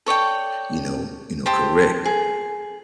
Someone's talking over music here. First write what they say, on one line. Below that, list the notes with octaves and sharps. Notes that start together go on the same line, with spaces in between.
you know you know, correct.
A4 C#5 D5 G5
G4 C5 A5
G#4